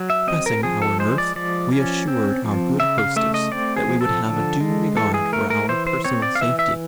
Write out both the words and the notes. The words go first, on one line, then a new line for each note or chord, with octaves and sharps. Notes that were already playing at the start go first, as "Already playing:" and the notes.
Repressing our mirth, we assured our good hostess that we would have a due regard for our personal safety.
Already playing: F#3
E5
C4 D#5
A#4
F3 G#4
A4
G#3 C5
D5
F3 D5
C#4
C4
F3
C#3 E5
F5
A3 E5
D#5
C4 D5
G#4
F3
A4
D3
G#3
E3 A4
G#4
A3 A#4
A#4
E3 C5
C5
C4 C#5
D5
F5
E3 E5
E5